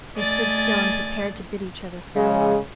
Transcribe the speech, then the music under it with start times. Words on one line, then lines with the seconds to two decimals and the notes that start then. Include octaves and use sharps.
They stood still and prepared to bid each other farewell.
0.16 A3 D5 D#5 G#5 A6
2.16 C#3 G#3